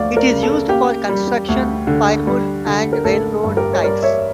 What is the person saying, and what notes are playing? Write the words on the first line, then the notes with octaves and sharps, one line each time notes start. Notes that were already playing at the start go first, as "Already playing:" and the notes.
It is used for construction, firewood, and railroad ties.
Already playing: D2 F3 D5 F5
A#4 D5
C#3
A4
A#3 G4
G3
D2
D3
G3
D3
A#4
A1 A4
G2
G4 A#4
C#5
G3 A#4 D5
C#5 E5